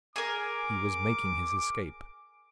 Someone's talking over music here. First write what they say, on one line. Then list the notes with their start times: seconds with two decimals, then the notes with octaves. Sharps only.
He was making his escape.
0.16 G#4 A#4 D6